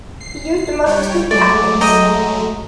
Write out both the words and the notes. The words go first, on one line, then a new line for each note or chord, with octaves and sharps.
He used the most astute tactics.
C7
G3 C#5 G5
F#3 G#3 A3 D5
D#5 G5 A#5